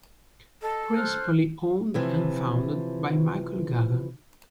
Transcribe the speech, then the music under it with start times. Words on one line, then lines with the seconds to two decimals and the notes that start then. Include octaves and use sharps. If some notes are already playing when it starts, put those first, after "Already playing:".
Principally owned and founded by Michael Gaughan.
0.62 A4 D#5
0.95 C5 F6 F#6
1.94 C3 E3 F3